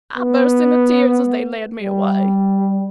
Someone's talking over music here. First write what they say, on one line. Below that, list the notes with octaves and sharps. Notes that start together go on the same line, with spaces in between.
I burst into tears as they led me away.
B3
G3